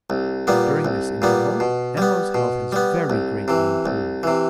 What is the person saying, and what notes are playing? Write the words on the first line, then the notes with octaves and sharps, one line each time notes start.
During this interval M.O.'s health has very greatly improved.
C2
A#2 G3 B3
C2
A#2 G3 B3
B2
G3 B3
B2
G3 B3
C2
C3 E3
C2
C3 E3